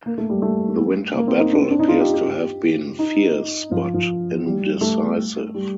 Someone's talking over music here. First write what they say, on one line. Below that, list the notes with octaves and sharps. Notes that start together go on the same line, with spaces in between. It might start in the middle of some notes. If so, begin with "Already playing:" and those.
The winter battle appears to have been fierce, but indecisive.
A#3
A3
G3
A3
A#3
C4
D#4
D4
C4
D4
D#4
F4
G4
G4
D#4
F3
F3
G3
A3
G3